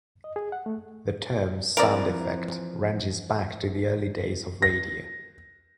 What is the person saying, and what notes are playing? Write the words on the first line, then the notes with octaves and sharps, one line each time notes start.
The term "sound effect" ranges back to the early days of radio.
D#5
G#4
F#5
A3
E3 F3 C4 A#4 D5
A#6